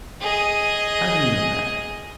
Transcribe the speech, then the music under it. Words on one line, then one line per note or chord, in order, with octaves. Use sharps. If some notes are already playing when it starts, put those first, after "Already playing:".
How do you know that?'
G#4 D#5